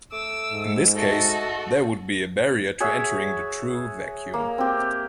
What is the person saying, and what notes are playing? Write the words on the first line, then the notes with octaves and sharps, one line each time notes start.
In this case, there would be a barrier to entering the true vacuum.
A3 D6 E6
G#2
A3 F#4 A4 D#5
G#4 C#5 E5 F#5
A#3
C4 G4